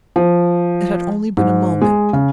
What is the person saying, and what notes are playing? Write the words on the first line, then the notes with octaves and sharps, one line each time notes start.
It had only been a moment.
F3
G#2
G#3
C#3